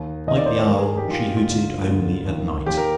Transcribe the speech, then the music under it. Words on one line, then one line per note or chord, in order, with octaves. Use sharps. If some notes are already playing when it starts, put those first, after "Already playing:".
Like the owl, she hooted only at night.
Already playing: D#2 D#3
D#2 D#3 D#5
D5
C5
D5
C5
G2 D#3 A#4
G#4
G4
G2 D#3 F4
F4
D2 D3
D2 D3
D#2 D#3
D#2 D#3 G4
A#4